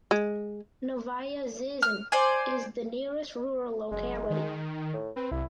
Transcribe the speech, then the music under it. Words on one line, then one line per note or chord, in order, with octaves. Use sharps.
Novaya Zhizn is the nearest rural locality.
G#3
F6
C5 D5 G#5
F#1 G#3
D#3
A2
C4 B4
C2 E4